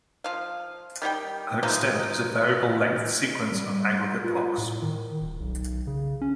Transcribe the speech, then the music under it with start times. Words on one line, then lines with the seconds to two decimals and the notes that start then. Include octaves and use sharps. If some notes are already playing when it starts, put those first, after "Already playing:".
An extent is a variable-length sequence of Aggregate blocks.
0.24 F3 F5
1.02 D#3 G3 G4 G5
1.63 E3 F3 G#3 D#4
3.52 G3
4.24 F4
4.58 A2
4.82 D#3
5.21 D#1
5.40 B1
5.87 C#3
6.21 C#4